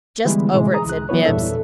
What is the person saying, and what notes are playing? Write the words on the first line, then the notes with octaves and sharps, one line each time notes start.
"Just over it," said Bibbs.
D3 E3 G3 G#3 B3 E4
A2 C3 E3 G#3
G#4 A#5 D#6
C#2 F#6
E3 F#3 B3 E4 B4 C#5
E2 G2 A#2 D4 A4 E5